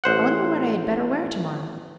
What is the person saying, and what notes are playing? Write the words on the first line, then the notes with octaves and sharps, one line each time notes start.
I wonder what I had better wear tomorrow.
A1 C5 F#5